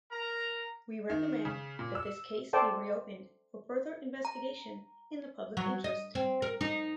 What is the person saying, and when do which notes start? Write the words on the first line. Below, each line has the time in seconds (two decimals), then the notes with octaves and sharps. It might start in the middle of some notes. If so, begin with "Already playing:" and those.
We recommend that this case be re-opened for further investigation in the public interest.
0.10 A#4 A#5
1.10 D#3
1.45 C#3
1.79 A#2
1.95 E6
2.53 A4 C5 D5 G5 A5
4.25 A#5
5.57 F#3
5.84 D#5
6.15 C4
6.42 A#4
6.61 D#4